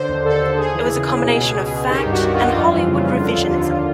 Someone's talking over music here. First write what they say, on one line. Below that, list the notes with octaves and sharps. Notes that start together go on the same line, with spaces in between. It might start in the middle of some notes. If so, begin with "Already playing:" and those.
It was a combination of fact and Hollywood revisionism.
Already playing: D3 C5
D#2
D3 A4
D#2
D#2 G#4
E3
C#3
D#2
B2
C#2
B2
C#2
D#3 G4
G2
F#4
D#3
G2 F4
F2
E3
C#3
F2
D3
D#2
D3